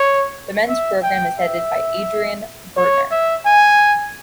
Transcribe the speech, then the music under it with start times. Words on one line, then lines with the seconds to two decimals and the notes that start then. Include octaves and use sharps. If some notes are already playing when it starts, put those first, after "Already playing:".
The men's program is headed by Adrian Burtner.
Already playing: C#5
0.69 E5
1.03 G5
1.38 E5
2.77 C#5
3.11 E5
3.46 G#5